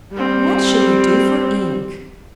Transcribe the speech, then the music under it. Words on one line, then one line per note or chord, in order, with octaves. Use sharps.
What should he do for ink?
G3 C4